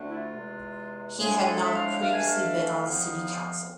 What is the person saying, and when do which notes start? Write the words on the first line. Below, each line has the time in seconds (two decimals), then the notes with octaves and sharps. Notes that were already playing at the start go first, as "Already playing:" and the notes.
He had not previously been on the city council.
Already playing: D2 D3 A3 D4
0.08 E4
0.14 F4
0.35 E2 C3 G#3
1.17 A2 F3 G#3 D4 G#4
1.46 A4
1.63 E5
1.74 F5
2.00 B2 A3 D4 F5
2.12 G#5
2.25 F5
2.84 F2 C3 F3 B3